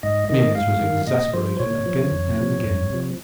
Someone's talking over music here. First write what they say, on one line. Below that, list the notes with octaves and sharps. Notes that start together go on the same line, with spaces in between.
Meares was exasperated again and again.
G#2 D#5
D#3 D#5
G#2 F5
D#3
A#2 D#5
F3 C5
A#2 C#5
F3
F2
C3 F3
F2
C3 F3